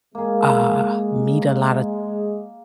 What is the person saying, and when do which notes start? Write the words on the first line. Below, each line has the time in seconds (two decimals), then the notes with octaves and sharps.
uh, meet a lot of
0.15 G#3 A#3 G#4